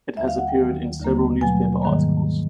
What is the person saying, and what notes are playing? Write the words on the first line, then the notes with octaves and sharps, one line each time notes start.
It has appeared in several newspaper articles.
D#2 D3 G3 A#3 E5
F5
F#5
G5
D#2 D#3 F#3 A#3
D#2 D3 G3 A#3
B2 F#3 A3 G#5
G#2 D#3 G3 A#3